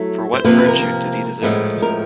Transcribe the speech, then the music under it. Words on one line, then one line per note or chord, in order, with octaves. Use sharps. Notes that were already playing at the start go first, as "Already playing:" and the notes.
For what virtue did he deserve this?
Already playing: F#3 A3 E4
C5
C3 F3 A#3 B4
B4
A#4
A2 F3 G#3 B3
A#4